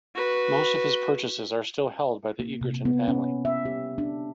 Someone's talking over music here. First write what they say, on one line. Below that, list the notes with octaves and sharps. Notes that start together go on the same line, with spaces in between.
Most of his purchases are still held by the Egerton family.
F#4 B4
A#3
C3
B3
C#4
E5
G4
D4